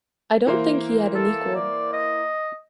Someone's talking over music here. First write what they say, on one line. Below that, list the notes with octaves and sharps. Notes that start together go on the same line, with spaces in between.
I don't think he had an equal.
E3 A#3 C5
A4
D5
D#5